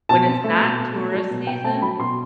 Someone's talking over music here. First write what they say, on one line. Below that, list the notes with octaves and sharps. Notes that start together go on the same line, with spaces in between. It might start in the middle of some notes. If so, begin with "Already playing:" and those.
when it's not tourist season,
B2 A5
C4
A3
B2
B2
A3
F#3
B2
B2 G5
A3 A5
F#3 B5
B2 C6